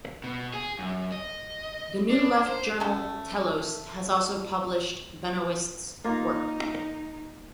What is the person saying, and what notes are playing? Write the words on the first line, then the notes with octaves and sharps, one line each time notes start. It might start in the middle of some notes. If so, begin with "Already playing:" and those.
The New Left journal "Telos" has also published Benoist's work.
B2
G#4
F#2
D#5
D4
C5
A3 C#4 F#4 A4
A#3 D#4 F4